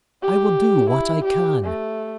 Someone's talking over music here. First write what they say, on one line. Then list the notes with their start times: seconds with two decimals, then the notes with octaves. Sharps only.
I will do what I can.
0.22 G4
0.90 E4
1.24 G4
1.65 A3